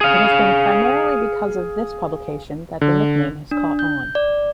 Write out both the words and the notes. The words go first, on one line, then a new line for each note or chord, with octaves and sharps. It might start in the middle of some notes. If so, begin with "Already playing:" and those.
It has been primarily because of this publication that the nickname has caught on.
G#4 F5
D3
D4
G6
D5